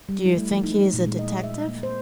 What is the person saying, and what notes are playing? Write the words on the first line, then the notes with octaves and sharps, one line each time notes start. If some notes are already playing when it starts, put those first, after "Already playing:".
"Do you think he is a detective?"
G3
E4
A3
F3
D#4
G#3
A#2
G#3
D#5
E5
A#3
C5